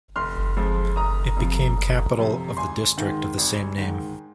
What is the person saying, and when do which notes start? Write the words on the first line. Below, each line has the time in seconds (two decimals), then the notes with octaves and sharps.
It became capital of the district of the same name.
0.16 F1 C6 F6
0.57 F2 F3 G#3
0.96 F1 A#5 D#6
1.37 F2 C3 F3
1.77 F1
2.17 F2 C3 F3
2.57 G#1 G#5 C6
2.98 G#2 D#3
3.38 G#1
3.78 G#2 D#3